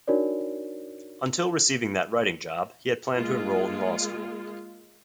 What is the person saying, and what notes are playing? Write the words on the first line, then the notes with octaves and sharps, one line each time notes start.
Until receiving that writing job, he had planned to enroll in law school.
D4 D#4 F#4 A#4 C#5 D5
G#3 A#3 F4